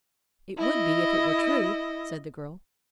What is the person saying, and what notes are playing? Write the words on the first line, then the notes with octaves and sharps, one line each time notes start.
"It would be, if it were true," said the girl.
E4 D#5